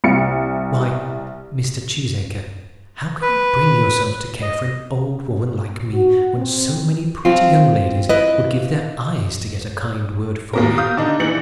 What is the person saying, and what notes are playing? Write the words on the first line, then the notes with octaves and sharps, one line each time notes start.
"Why, Mr. Cheesacre, how can you bring yourself to care for an old woman like me, when so many pretty young ladies would give their eyes to get a kind word from you?"
C2 C#7
B4
D#5
F#4
C4
C4 F4
E4 B4 D#5
D#2 B2 A#4
F5 D#6 G6
D3 D4 D#4
A#1 E3 C#7 F#7